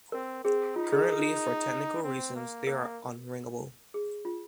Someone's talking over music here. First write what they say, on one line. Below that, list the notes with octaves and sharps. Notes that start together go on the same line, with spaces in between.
Currently for technical reasons they are unringable.
C4 A#4
C4 G#4
D#4 F4
G#4
A#4
C4
A#3
A#3 A#4
G#4
F4